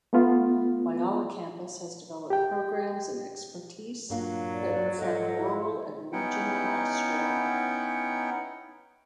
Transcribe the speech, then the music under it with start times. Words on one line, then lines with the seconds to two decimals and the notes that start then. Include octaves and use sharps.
Whyalla campus has developed programs and expertise that reflect rural and regional Australia.
0.13 A3 B3 F4
2.30 G4 G5
4.10 G2 A#2 F#3 A#3 D4 F5
4.53 D5
4.99 G#2 F3 A4 D#5 F#5
5.37 E4
6.12 B3 C#4 D#4 E4 F#5 G5